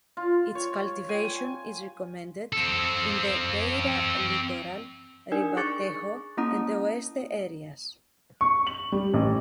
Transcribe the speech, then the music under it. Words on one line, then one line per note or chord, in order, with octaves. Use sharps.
Its cultivation is recommended in the Beira Litoral, Ribatejo and Oeste areas.
F4
C#5
G#5
G#5
C4 A4
D4 D#4 A#4 D5 G#5
G#4 C#6 D6 F#6 A6 C#7
A#3 C#4 E4 A#5 D#6
C#6
F#7
G3
A1